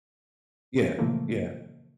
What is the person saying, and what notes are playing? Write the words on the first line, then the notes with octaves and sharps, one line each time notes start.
Yeah. Yeah.
A#2 C#3 E3 F3 A3 A#3